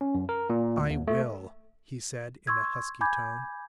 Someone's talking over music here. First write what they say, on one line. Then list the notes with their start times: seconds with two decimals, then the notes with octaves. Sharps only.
"I will," he said, in a husky tone.
0.01 C#4
0.15 F#2
0.29 A#4
0.50 A#2
0.78 D2
0.90 D#2
1.08 A3
2.47 C6 C#6 E6 G#6
3.01 G#5 B5 D6 G6 G#6